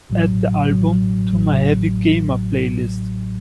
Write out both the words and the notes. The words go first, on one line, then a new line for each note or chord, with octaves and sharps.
Add the album to my Heavy Gamer playlist.
A1 A2 F#3
A1 A2 F#3
A1 A2 F#3